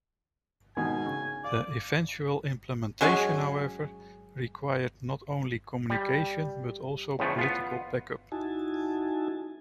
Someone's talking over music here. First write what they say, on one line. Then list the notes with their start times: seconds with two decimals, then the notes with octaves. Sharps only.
The eventual implementation, however, required not only communication, but also political backup.
0.77 G#2 B2 D#3 G#5
1.06 C#3
1.44 D5 F5
3.01 F#3 G#3 C#4 G#4
5.90 G3
7.19 E2 A2 C#3 F3 A3
7.39 B3 F4
8.32 D#4 E4 F#4 G#5 A5